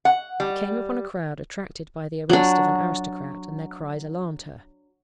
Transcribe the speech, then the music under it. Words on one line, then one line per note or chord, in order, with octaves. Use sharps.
'She came upon a crowd attracted by the arrest of an aristocrat, and their cries alarmed her.
F#5
G3
F#3 D4